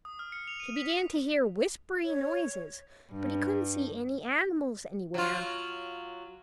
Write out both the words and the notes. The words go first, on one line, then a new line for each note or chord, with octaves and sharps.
He began to hear whispery noises, but he couldn't see any animals anywhere.
D#6
F6
C#7
F7
D#7
B6
C#5
G2
F#3 F4